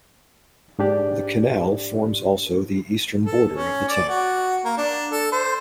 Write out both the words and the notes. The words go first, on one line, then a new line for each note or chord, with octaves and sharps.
The canal forms also the eastern border of the town.
G#2 D4 G4 D5
A4
C#4
D5
F#4
A#3
D4
A4
C5